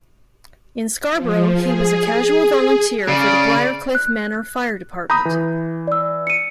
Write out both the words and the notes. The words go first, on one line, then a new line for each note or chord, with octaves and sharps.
In Scarborough, he was a casual volunteer for the Briarcliff Manor Fire Department.
F3
G#4
C#3 D5
F#6
A#5 B5 D#6 G6
E3
D5 E6
C#7 D#7